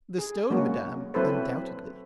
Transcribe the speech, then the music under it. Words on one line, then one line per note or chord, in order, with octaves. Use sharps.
"The stone, madam, undoubtedly."
G#4
F#3 G#3 A#3 C#4 F#4
F#3 C4 E4 A4 B4 C5